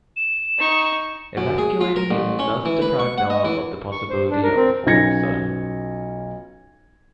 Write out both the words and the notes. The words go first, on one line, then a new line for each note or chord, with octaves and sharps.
Emasculating him thus deprived Noah of the possibility of a fourth son.
E7
D#4 C#6
F#2
G#4
F4
A#4
A1
C#4
E3
B4
C#6
F#5
D#5
E3
C#6
C5
D4
A#4
C4
B1 C#4 F4 G#6 A#6 C#7